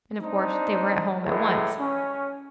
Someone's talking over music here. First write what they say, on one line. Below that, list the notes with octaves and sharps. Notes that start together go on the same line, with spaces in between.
And, of course, they were at home at once.
C4 D4 D#4
A2 E3 F#3 G#3
C#4